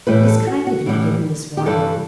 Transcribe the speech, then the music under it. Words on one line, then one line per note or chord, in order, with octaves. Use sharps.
It is kind of you to give me this warning.
A2 E3 G3 B4
A4
F#4
F#4
A2 E3 G3
G4
G2 E3 G3 A4